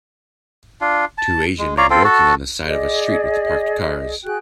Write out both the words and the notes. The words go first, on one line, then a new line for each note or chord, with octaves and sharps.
Two asian men working on the side of a street with parked cars.
D4 F4
A5
G#3
F4 C#5 D5 A#5
C4 F4 A4
F#4 A4 A5
G#4 D5 D#5
F#4 G#4 G5 F#6